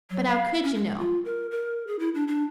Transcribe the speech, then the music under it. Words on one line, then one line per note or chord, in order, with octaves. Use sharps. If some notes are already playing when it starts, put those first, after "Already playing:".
"But 'ow COULD you know?"
F#3
F5
C#4
G#3
F4
A#4
A#4
G#4
E4
D4
D4